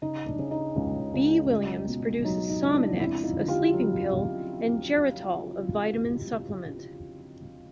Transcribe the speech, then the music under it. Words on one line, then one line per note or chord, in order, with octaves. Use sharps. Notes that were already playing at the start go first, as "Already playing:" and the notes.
B. Williams products Sominex, a sleeping pill, and Geritol, a vitamin supplement.
C#3 D#4
D4
C#3
D#4
C#2
C#2
C#2
B2
F#3 D#4
D#4
C#2
D4 E4
F2 D4 E4
D#4 F4
D3
F4 G4
F#3